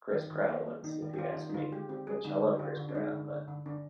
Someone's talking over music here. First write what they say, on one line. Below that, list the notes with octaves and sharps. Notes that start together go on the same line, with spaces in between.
Chris Pratt ones, if you ask me, which I love Chris Pratt, but
D#3
D#3
A#3 A#4
A#3
D#3 D#4
D#3
G4
D#3 F4
D#3
D#4
D3 F4
G#3 G4
C4 G4
G#3 G#4
D3 D#4
D3
G4
D3 F4
D3
D4
G#3 D#4
D3
D3
D3
D3 D4